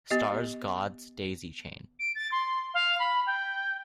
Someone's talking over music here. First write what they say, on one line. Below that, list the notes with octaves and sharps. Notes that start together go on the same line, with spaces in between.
Stars God's daisy chain.
B3 G4 D#5
D7
A6
C6
F5
B5
G5